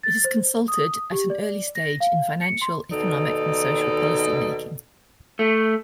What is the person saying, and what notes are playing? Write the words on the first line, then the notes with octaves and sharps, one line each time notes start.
It is consulted at an early stage in financial, economic and social policy-making.
A6
C5
D#6
G4
D5
A#6
F5
C#7
C6
D#2 B2 D#4 A4 D5
A3